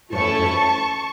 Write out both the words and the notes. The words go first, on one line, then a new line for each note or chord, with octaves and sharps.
Right, right.
A3 C#4 E4 A4 A5 C#6